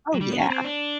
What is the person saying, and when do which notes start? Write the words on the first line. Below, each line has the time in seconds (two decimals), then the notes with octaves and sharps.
Oh, yeah.
0.14 F#3
0.21 G3
0.31 B3
0.40 C#4
0.50 C4
0.64 D4